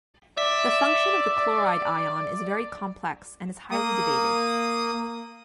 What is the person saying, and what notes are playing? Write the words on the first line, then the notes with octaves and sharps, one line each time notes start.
The function of the chloride ion is very complex and is highly debated.
D5 E5
A#3 D#6